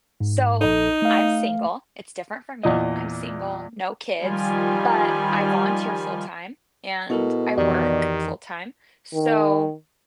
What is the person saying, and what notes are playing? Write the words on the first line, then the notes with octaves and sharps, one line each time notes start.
So, I'm single. It's different for me, I'm single, no kids, but I volunteer full time and I work full time. So,
G#2
A#1 D#4 A4
A3 F5
E2 A#2 D#5
D#3 F3 G3 F4 G#5
B2 E4 A4 A#4
F2 D#3 E3 G4 D5
D#3